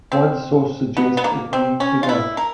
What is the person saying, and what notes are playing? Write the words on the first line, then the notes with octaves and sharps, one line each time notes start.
One source suggests it means, Enough!
C4
B3
B3
A#3
C4
C#4
F4
E4
A#4